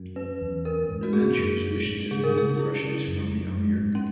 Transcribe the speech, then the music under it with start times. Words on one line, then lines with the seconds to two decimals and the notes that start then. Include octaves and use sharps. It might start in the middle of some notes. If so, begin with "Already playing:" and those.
The Manchus wished to remove the Russians from the Amur.
Already playing: F#2
0.16 C#4 B4
0.41 E2
0.65 C#4 A#4
0.89 G#2
1.03 F#4
1.13 A#3 G#4
1.38 F#2
1.62 C#4
1.86 G#2
2.11 C#3 G#4
2.24 A#4
2.35 C#3 G#4
2.59 C#4 E4
2.83 C#3
3.08 F#2
3.32 F#2
3.56 G#2
3.80 G#2
3.95 C#4